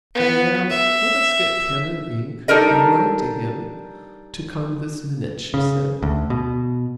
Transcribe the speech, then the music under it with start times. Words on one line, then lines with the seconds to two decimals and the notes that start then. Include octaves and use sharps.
"And now let us get pen and ink and write to him to come this minute," she said.
0.15 B3
0.70 E5
2.48 G3 D4 D#4 A4 A#4 D#5
5.54 C#3
6.03 D2
6.30 B2